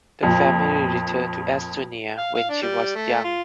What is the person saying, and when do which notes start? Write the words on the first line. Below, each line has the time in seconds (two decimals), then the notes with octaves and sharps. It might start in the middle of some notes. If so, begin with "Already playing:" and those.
The family returned to Estonia when she was young.
0.23 F2 A#2
2.18 F5
2.35 F5
2.50 D4
2.62 G3
2.95 A3
3.24 F4